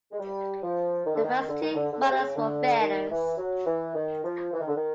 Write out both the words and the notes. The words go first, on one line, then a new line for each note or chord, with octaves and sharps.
The first two models were failures.
G#3
G3
F3
D#3
D3
D#3
D3
D#3
D3
D3
C#3
C3
C#3
D3
D#3
E3
F#3
E3
D#3
F3
E3
D#3
D3
D#3